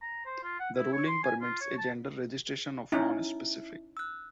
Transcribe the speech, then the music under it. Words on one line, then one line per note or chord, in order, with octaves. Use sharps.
The ruling permits a gender registration of "non-specific".
A#5
C5
F4
F#5
E4
C#5
C6
G#5
F4
C#5
A5
C#4 D#4 E4 E5
E6 F#6